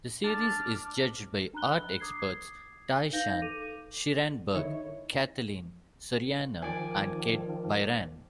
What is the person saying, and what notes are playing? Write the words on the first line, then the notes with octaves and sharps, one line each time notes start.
The series is judged by art experts Tai-Shan Schierenberg, Kathleen Soriano and Kate Bryan.
D4 A5 D6 F6
D4 A#5 B5 F#6 G7
D6 D#6 G#6 C7
D#4 B4 F5 G6 A#6
A4 D6 D#7 F7
D3 D#3 D#4 E4 C#5
D#3 F3 D5 G#5